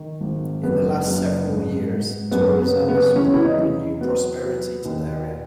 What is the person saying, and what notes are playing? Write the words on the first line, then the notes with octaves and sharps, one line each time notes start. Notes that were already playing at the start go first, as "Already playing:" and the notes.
In the last several years, tourism has brought renewed prosperity to the area.
Already playing: D#3
G#1
F#1 B3
F#1
G#2
G#2
F#2 B3
B3
C#3
B3
E2 C#4
E4
D#4
E2
F#3 B3
F#3
D#2